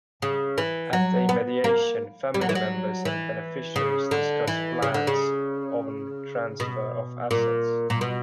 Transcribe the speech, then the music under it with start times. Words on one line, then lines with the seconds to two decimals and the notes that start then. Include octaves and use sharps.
At a mediation, family members and beneficiaries discuss plans on transfer of assets.
0.22 C#3
0.58 E3
0.93 F#3
1.29 B3
1.64 A#3
2.34 G3
2.41 F#3
2.49 E3
2.55 F#3
3.05 E3
3.76 C#3
4.11 D3
4.47 E3
4.82 C#3
4.94 D3
5.07 C#3
6.60 B2
7.31 A#2
7.90 A#2
8.01 B2